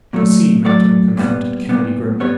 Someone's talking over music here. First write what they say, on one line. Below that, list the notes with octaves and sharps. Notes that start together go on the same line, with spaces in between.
"You see!" Manton confronted Kennedy grimly.
A#2 F#3 A3
A#2 F#3 A3 D5
A#2 G3 B3
A#2 G3 B3
G3 B3 C#5